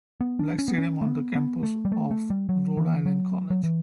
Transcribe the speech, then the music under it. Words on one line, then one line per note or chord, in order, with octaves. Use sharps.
Black Stadium on the campus of Rhode Island College.
B3
D4
C#4
B3
C#4
A3
B3
B3
A3
G3
A3
A3
G3
F#3
E3
F#3
F#3
E3